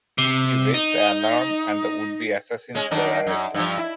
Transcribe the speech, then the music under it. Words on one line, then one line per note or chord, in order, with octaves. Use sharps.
He raised the alarm and the would-be assassins were arrested.
C3
D#4
G#3 C#4
F#2 D#3 D4
F#2
G2 F3
E4